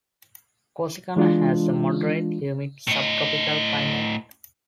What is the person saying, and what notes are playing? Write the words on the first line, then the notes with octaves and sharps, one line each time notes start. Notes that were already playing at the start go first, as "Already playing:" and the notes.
Corsicana has a moderate humid subtropical climate.
E3 G#3 D4 F4
A2 D#5